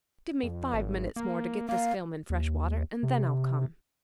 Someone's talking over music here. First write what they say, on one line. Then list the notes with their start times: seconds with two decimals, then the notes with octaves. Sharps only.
"Give me five minutes more to get this film in fresh water and then I'll come."
0.43 F2
0.74 G#1
1.16 A#3
1.69 A#3 F5
2.30 D#2
3.03 C3